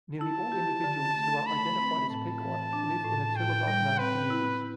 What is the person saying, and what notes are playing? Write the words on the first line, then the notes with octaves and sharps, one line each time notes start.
Nearly all individuals who are identified as Pequot live in the two above-named communities.
E4 A5
G4
D3
A3
A3 B5
C4
A2 A5
E3
D4
A2
A2 G5
G3
C4 B4
E4